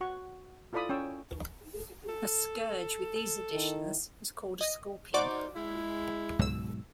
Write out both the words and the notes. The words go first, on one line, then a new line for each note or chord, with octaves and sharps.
A scourge with these additions is called a scorpion.
F#4 F#5 C#6
E4 F4 A4 D5 B5 D#6
C#4 G5 C#6 E6
A4
A4
D#3 E4
D#5
D#4 F#4 C5 D5 D6
G#3 E4
C#2 G#2 B2 F#3 E6